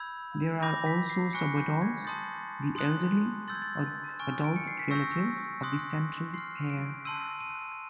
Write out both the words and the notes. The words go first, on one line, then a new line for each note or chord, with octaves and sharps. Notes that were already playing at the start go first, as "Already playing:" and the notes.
There are also subadults, the elderly, or adult relatives of the central pair.
Already playing: B5 E6 G6 G#6
B5 D6 G6 A#6
B6
C7
G#5 C#6 F#6 C#7
G6
G#6
A5 C6 D#6 G6 A6
C6 D#6 F#6
C6 E6 G6 A6
G#6
A6
G#5 C#6 F6
D7
C#7
C7
B6
C#6 E6 G6 A#6
C6 D#6 F#6
C6 F6 C7
D7
A5 C6 E6 D#7
D#7